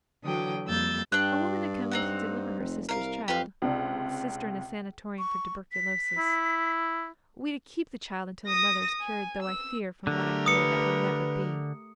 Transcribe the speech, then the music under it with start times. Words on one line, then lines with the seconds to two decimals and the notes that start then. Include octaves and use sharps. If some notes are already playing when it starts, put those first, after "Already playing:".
A woman had come to deliver her sister's child--sister in a sanatorium for tuberculosis; we to keep the child until the mother is cured, though I fear, from what I hear, that will never be.
0.24 D3 E3 F#3 G5 D#6
0.66 F2 G3 A#3 E6 G6 A6
1.12 G2 D4 G5 F#6
1.91 C4 D#4 F#5
2.59 F1
2.89 C2 A#4 F5
3.28 F2 G4 B4 F5
3.62 C#2 C3 D4
5.18 C#6
5.72 B6
6.18 E4
8.47 D#6 A#6
9.01 G#5
9.43 E6
10.07 D3 A3 G4 A#4
10.46 B4 D#6 C#7